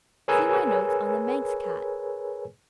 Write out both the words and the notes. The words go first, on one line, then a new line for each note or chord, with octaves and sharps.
See my notes on the Manx cat.
G#4 A#4 B4 C#5 G#5 E6